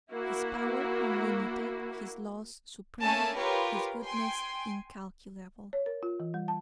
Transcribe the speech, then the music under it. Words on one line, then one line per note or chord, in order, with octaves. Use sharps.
His power unlimited; His laws supreme; His goodness incalculable.
A#3 E4 F#4
A3 A#3 C#4 G#5 A5
F4 G4 A#4 B4 C#5
G5 G#5 C6
C#5
A#4
F4
E3
G3
A5